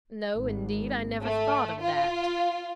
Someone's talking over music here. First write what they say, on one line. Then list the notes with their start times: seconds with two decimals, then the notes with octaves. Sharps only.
"No, indeed, I never thought of that."
0.35 G#1
1.21 A3
1.82 F4